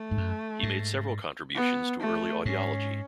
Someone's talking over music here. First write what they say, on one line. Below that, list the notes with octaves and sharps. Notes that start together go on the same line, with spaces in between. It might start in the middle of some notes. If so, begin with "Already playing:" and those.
He made several contributions to early audiology.
Already playing: A3
G#2
F#2
G#2
B3
A3
G#2 C#4